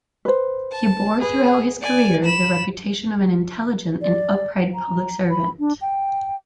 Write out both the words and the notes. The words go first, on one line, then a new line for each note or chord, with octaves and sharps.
He bore throughout his career the reputation of an intelligent and upright public servant.
B4 C5
A5
G#4 B4
D5 G#5
B5 E7
D5
A#5
B5
D4
G5